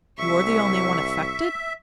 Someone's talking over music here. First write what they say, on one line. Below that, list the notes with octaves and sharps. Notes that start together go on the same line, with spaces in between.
'You are the only one affected?'
C2 E5 C#6